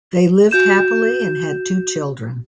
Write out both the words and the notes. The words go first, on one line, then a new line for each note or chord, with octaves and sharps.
They lived happily and had two children.
F#4 G6 E7